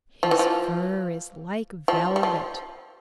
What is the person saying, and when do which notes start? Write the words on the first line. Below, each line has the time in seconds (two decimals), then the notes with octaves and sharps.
His fur is like velvet.
0.23 F3
0.31 E3
0.39 F3
1.88 F3
2.16 G3
2.23 F3